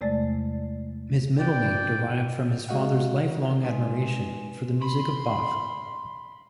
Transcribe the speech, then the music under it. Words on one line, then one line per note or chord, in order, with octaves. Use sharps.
His middle name derived from his father's lifelong admiration for the music of Bach.
E2 C3 G#3 A3 D5 A6
D2 D3 D4 D5 G5
C3 G#3 F#4 D#5 F5 F#5
G#3 D#4 B4 G#5 C6
B5 C6